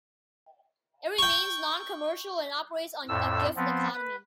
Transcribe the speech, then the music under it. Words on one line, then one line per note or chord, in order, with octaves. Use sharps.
It remains non-commercial and operates on a gift economy.
G5 C#6
F2 A2 E6
F3 B3 C4
B4